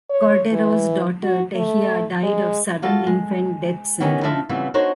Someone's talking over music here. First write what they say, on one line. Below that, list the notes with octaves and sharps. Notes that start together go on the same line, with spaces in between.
Cordero's daughter Tehya died of Sudden Infant Death Syndrome.
C#5
E3
F#4
A3
G#3
G3 F4 F#4 A4 A5
G#3
D#3 E3 B3 C#4 D#4 G4
F3 D4 D#4 E5 F5
C#3 E3 F3 G3 B3 C4
D4 D#4 F#4 C5 C#5